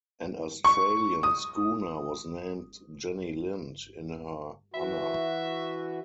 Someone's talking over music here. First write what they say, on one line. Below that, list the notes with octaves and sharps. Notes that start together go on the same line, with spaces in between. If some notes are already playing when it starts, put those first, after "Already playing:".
An Australian schooner was named "Jenny Lind" in her honour.
C#6
D#6
E3 F#4 E5